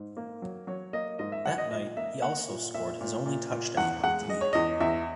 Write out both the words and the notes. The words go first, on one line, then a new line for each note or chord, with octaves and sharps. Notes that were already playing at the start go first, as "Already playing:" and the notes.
That night he also scored his only touchdown of the year.
Already playing: G#2
A#3
F#3
F#3 C#5
A#3 D#5
G#2 D#5
E5
F#3 F#5
D#5
A#2 D#5
A#3 E5
A#3 F#5
A#2
A#2 E5
A#2
A#2
A#2
E2 F#5
G#3 F#5
G#3 D#5
C#5
E2 D#5
E2 E5